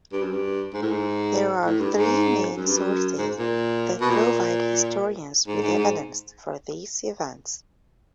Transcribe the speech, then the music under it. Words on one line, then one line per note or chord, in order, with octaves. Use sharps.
There are three main sources that provide historians with evidence for these events.
G2
F#2
G2
G#2
A2
G#2
A2
G2
G#2
F#2
G2
F#2
G#2
A#2
B2
A#2
G#2
G#2
G#2